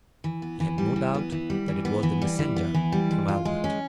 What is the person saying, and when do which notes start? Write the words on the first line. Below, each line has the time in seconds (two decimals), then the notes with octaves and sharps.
He had no doubt that it was the messenger from Albert.
0.24 E3
0.42 B3
0.60 E3
0.78 G3
0.96 E3
1.14 B3
1.32 E3
1.50 G3
1.68 E3
1.85 B3
2.03 E3
2.22 G3
2.39 E3
2.56 B3
2.74 E3
2.92 G3
3.11 G#3
3.28 F4
3.45 G#3
3.64 C#4